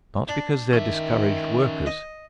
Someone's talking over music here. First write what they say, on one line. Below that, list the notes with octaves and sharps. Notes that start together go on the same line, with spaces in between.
Not because they are discouraged workers.
D4
D#3 C#4 E5
D#5